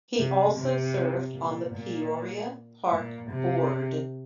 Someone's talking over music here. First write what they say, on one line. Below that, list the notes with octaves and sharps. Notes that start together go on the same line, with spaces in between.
He also served on the Peoria Park Board.
C3
C3
A#2
A#2
A#2
C3